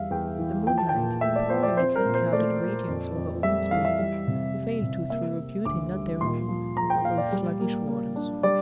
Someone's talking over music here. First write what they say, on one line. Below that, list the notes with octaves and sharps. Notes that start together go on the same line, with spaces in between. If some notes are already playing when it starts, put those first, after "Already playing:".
The moonlight, pouring its unclouded radiance over open space, failed to throw a beauty not their own on those sluggish waters.
Already playing: E2 G3 E5 F5
E2 G5
E3
F3 G5
A5
G5
A#2
A3 E5
D5
F3 C5
D5
C4 C5
A#4
A#2
C5
A3 D5
A#2
F2
F2
G3 E5
E3 F5
E5
G3
C3
G3
C3
A#3 E5
A#3
D2 D6
G3
A#2 C6
F3
F3 A#5
G5
A#2 F5
D5
G3
A#3
A#3
D4
G3 D5